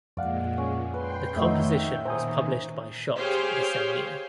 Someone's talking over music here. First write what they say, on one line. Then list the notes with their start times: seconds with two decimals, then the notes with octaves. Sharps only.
The composition was published by Schott the same year.
0.17 F2 A#2 G#3 D5 F5 F#5
0.58 C#4
0.94 B4 G5 C6
1.36 F2 D#3 F#3 A3 D#5 E5 G6
1.75 G5
2.06 A#2 D#3 C5 G#5 A#5 D#6
3.17 G4 G#4 C5 C#5 F5 G5